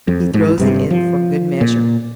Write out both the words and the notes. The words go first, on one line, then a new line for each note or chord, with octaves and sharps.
He throws it in for good measure.
F2
G#2
G1 G2 C3
F3
A#2